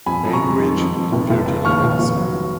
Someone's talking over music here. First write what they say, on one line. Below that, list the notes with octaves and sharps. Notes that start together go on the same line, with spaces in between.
Bainbridge and Virginia Madison.
F2 G#5 B5
F2
A#5 C#6
G#3
D#3
F2
F2
F1
F1
C#3
D#2 C#6 F6
F1
F1
F#3